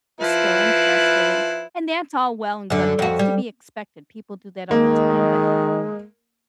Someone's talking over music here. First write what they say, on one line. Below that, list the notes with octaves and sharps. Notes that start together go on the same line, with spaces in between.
is still interested and and that's all well and good, that's to be expected. People do that all the time, but
F3 E4 B4
F#2 D3
F2 F#4
G3
D#3 G#3 A#3